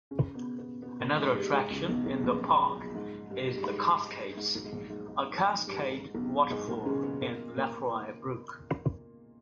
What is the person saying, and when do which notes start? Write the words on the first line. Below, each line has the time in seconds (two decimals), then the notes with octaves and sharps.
Another attraction in the park is The Cascades, a cascade waterfall in Lefroy Brook.
0.11 C#3 C#4
0.35 B2 B3
0.58 B2 B3
0.82 B2 B3
1.00 A#2 A#3
1.17 G#2 G#3
1.35 G2 G3
1.53 G#2 G#3
1.71 C#2 C#3
1.89 B1 B2
2.06 B1 B2
2.18 B2
2.24 A#1 A#2
2.95 G#2
3.31 G2
3.56 G2
3.66 G#2
4.37 G#2
4.55 B1 B2
4.65 G#2
4.72 A#1 A#2
4.90 G#2
5.08 G#2
5.67 G2
5.79 G#2
6.15 B1 B2
6.50 G#2 G#3
6.67 A#2 A#3
6.86 C#3 C#4
7.03 B2 B3
7.21 A#2 A#3
7.56 A#2 A#3